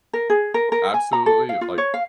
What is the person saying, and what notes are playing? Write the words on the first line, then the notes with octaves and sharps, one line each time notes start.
absolutely like
A#4
G#4
A#4
A#4
G#5
A#5
A4
F5
F4
C#5
F5